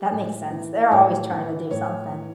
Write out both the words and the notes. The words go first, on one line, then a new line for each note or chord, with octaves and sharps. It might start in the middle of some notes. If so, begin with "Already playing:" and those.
That makes sense. They're always trying to do something.
Already playing: G4
A2
E3
A2 C#5
E3
A2 C#5
E3